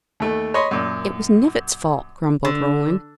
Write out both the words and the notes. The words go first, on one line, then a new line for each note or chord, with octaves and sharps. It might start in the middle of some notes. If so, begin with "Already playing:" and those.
"It was Knivett's fault," grumbled Roland.
D#2 A3
C#5 D#5 B5 C6
F#2 A#2
D3